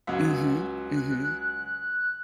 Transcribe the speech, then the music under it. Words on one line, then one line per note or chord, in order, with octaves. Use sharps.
Mhm, mhm.
C#2 F#3
F#6
F#6